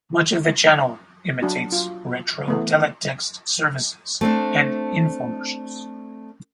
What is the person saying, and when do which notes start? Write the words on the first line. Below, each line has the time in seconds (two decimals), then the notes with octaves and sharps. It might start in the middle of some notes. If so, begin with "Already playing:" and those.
Much of the channel imitates retro teletext services and infomercials.
1.42 F#3 D4 F#4
1.72 F4
2.48 E3 A3 B3
4.21 A3 C4 D4